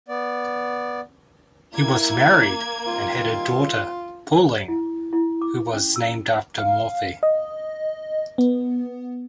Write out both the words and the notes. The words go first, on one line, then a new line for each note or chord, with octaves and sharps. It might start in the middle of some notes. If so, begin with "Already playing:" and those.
He was married, and had a daughter, Pauline, who was named after Morphy.
B3 D5
A#3 E4 G#6
D#3 G3 C4 F4
E4
E4
D6
C#4
E6
F5
D#5
B3